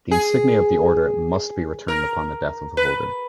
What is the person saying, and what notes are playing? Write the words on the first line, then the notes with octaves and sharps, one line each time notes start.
The insignia of the Order must be returned upon the death of the holder.
G#4
A#4
B4